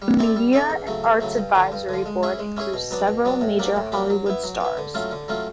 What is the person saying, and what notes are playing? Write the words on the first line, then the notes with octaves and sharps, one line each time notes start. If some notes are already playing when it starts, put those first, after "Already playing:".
The Media and Arts Advisory Board includes several major Hollywood stars.
G3
C4 E4 A4 D5
G3
C4 E4 A4 D5
E2
C#3 F#3 A3
E2
C#3 F#3 A3
G2
D3 F3
G2
D3 F3
G#3
C#4 E4 G#4 C#5
G#3
C#4 E4 G#4 C#5
B2
F#3 B3 D4
B2
F#3 B3 D4
A2
F#3 A#3 D4 G4
A2
F#3 A#3 D4 G4
F#3
B3 E4
F#3
B3 E4
D3
F#3 A3 C#4 F4
D3
F#3 A3 C#4 F4